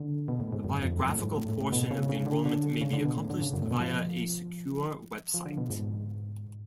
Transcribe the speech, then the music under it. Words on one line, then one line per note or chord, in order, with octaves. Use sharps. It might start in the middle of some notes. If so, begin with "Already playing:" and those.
The biographical portion of the enrollment may be accomplished via a secure web site.
Already playing: D3
B2
A2
G#2
F#2
F2
F#2
A2
G#2
A2
A2
A2
B2
C#3
C#3
D3
D3
C#3
D3
B2
A2
D3
C#3
F#2
A2
B2
F3
F3
D3
B2
G#2